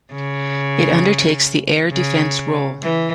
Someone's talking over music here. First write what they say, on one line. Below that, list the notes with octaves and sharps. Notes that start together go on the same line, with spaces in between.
It undertakes the air defence role.
C#3
C#3
E3